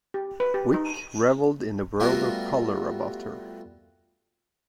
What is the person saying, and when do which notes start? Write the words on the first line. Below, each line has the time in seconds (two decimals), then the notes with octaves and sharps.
Vic reveled in the world of color about her.
0.14 G4
0.40 B4
0.54 G4
0.74 D#4
2.00 G3 A3 B3 F4 F#4 A#4